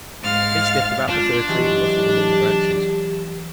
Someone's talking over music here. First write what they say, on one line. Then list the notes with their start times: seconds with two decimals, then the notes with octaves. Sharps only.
They snuffed about the Fir Tree, and rustled among the branches.
0.22 G#2 G#3 F5 F6 A6
1.09 D4 F4 C6 G6
1.48 E3 F#3 G#3 G4